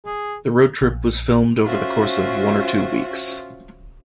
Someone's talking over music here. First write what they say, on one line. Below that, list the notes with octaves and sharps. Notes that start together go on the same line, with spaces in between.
The road trip was filmed over the course of one or two weeks.
G#4
A#1
C#4 F4 F#4 C5 E5